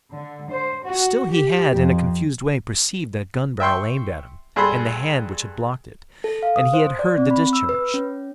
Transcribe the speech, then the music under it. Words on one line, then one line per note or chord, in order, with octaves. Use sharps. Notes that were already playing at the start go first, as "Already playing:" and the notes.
Still, he had, in a confused way, perceived that gun-barrel aimed at him, and the hand which had blocked it, and he had heard the discharge.
D3
C5
F#4
G4
F2
E5 G5 C6 C#6
G2 G#4 A4 B5 C6
A4
F5
D#6
C5
D5
C4
B5
E6
B4
C#4